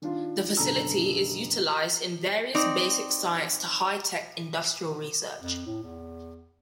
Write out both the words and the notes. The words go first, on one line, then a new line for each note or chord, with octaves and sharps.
The facility is utilized in various basic science to high-tech industrial research.
D#3 D4 F4
F#1 B2 D3 A4 A#5 E6
C4 D#4 D5
F2
A2
E2